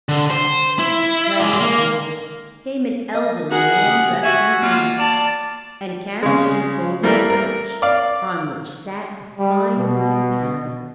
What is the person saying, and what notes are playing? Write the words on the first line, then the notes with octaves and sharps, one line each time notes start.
Last of all came an elderly man dressed in black, and carrying a golden perch on which sat a fine green parrot.
D3
C5
E4
G#3 D5
A#3
D#5
F#4 G#4 A#4 F#5
C#3 G4
F#4 G4 E5 G#5
A#3 F4
D5 A5
C#3 G#3
E3 G3 A3 A#3 E4 A#4
A#4
D5 F5
G3
B2